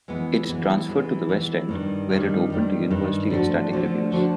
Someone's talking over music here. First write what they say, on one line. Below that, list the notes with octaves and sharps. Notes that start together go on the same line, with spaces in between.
It transferred to the West End, where it opened to universally ecstatic reviews.
E3 G#3 B3
E3 G#3 B3
E3 G#3 B3
E3 G#3 B3
G2 D#3 G3
G2 D#3 G3
G2 D#3 G3
G2 D#3 G3
D3 F3 A3 D4 F#4
D3 F3 A3 D4 F#4
D3 F3 A3 D4 F#4